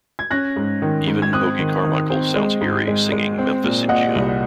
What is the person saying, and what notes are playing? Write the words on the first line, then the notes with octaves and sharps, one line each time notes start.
Even Hoagy Carmichael sounds eerie singing Memphis in June.
G#6
C#4 F#6 A#6
G#2
D#3
G#2
G#6
C4 D#6 F#6
D#3
D#3
C4
G#3
G#2
G#3
G#3
C4
A#2
A#2 D#5 F#5
C2